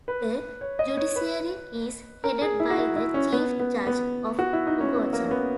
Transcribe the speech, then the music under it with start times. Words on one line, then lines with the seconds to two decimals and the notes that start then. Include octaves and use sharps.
The judiciary is headed by the Chief Judge of Ogoja.
0.08 B4
0.61 C#5
0.79 D#5
0.97 C#5
1.16 B4
2.24 A#4
2.42 G#4
2.60 E4
2.70 F#4
2.78 E4
2.96 E4
3.14 C#4
3.32 B3
3.60 B3
3.87 B3
4.39 F#4
4.53 E4
4.67 D#4
4.81 C#4
4.95 B3
5.13 A#3
5.26 C#4
5.31 B3